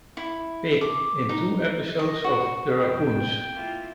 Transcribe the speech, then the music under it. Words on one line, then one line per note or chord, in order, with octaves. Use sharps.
Pig in two episodes of "The Raccoons".
E4
D6
D#4
D#5
F#4
F2 C#3 G5
A#3 E4 F4